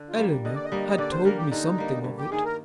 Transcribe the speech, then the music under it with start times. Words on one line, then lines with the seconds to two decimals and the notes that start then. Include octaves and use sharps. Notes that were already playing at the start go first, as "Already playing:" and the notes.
"Eleanor had told me something of it."
Already playing: D3
0.09 F4
0.18 G3 A#3
0.45 D3 D#5
0.55 D5
0.65 D#5
0.72 G3 A#3
0.88 D#5
0.98 D3 D5
1.12 C5
1.25 G3 A#3 A#4
1.38 G4
1.51 D3 D#4
1.78 G3 A#3
2.04 G2
2.18 G4
2.32 D#3 A#3 G#4
2.45 A#4